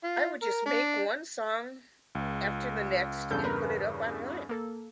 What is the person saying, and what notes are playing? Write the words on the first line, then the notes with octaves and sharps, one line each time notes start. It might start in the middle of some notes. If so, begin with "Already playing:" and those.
I would just make one song after the next and put it up online.
F4
A#4
D4
C#2
E2 G2 C#3 A4 G6
A#4 B4
A#3 A4